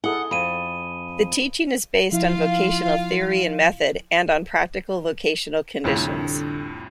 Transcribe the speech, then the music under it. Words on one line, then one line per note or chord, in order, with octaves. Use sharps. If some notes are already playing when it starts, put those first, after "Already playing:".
The teaching is based on vocational theory and method and on practical vocational conditions.
E4 G#4 A4 F#5 G#5 D#6 G7
F2 B5 D#7
F3 E4 F4 F5
C2 F2 A2 D3